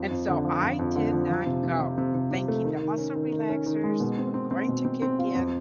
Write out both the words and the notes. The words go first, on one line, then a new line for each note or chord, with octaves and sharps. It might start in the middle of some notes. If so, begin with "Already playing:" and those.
and so I did not go, thinking the muscle relaxers were going to kick in
Already playing: F2
F2
D3
F3
F2
F2
D3
F3
F3
C3
C3
C3
C3
C3
C3
A3
D#3
D#3
C#4
D#3
D#3
C#4
D#3
G#3
B2
C4
C4
C4
B2
C4
C4
F4
F2